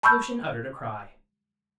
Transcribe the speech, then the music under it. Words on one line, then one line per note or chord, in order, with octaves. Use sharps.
Lucian uttered a cry.
A5 B5 C#6 E6 F6 G6